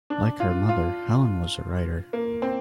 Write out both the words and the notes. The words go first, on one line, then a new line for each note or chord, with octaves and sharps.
Like her mother, Helen was a writer.
D4
F4
F4
A#3
C4